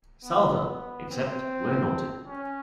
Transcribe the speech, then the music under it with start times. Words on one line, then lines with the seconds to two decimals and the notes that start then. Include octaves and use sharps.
Souther, except where noted.
0.23 B3
0.53 B3
1.10 C4
2.27 C#4